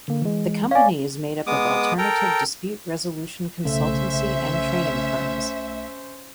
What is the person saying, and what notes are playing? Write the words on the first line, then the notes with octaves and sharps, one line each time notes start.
The company is made up of Alternative Dispute Resolution consultancy and training firms.
D3 A#3
E3 G#3
C#5 D5 F5 G#5
G#3 B3 D6 D#6
A4 A#4 G5 A#5
B1 C#3 A3 C#4 C5 E5